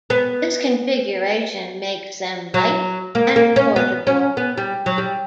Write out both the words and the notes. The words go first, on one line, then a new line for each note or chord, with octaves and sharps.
This configuration makes them light and portable.
B3
F#3
A#3
A#3
C#4
B3
C#4
B3
G3
F#3
G3